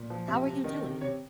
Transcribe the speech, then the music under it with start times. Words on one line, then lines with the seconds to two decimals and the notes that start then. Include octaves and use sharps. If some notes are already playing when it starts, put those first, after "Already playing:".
How are you doing?
Already playing: A#2
0.10 F3
0.28 C3 E5
0.47 C3
0.64 D#3 D#5
0.83 C3
1.01 C3 C#5